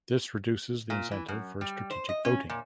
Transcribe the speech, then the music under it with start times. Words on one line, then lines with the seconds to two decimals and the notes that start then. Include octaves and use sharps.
This reduces the incentive for strategic voting.
0.90 A#2
1.11 E3
1.28 F#2
1.61 G3
1.91 C5
2.09 D#5
2.25 C#4
2.50 A#2